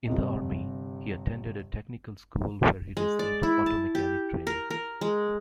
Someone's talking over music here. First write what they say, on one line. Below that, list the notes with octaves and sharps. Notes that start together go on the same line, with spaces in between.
In the Army, he attended a technical school where he received auto mechanic training.
G1 C3 D#5
G#3
D5
E4
A5
G4
A#4
A#4
G#3